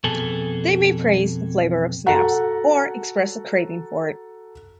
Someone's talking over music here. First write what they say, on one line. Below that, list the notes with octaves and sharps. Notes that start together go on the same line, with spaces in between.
They may praise the flavour of snaps or express a craving for it.
F2 B2 G#4 A4
F#4 A4 F#5 A#5